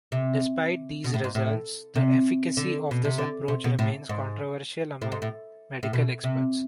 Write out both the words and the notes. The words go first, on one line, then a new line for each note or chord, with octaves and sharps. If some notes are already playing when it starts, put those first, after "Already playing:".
Despite these results, the efficacy of this approach remains controversial among medical experts.
C3
B2
A2
G#2
A2
C3
D3
B2
C3
D3
C3
B2
A2
G#2
A2
G#2
A2
A2
B2
C3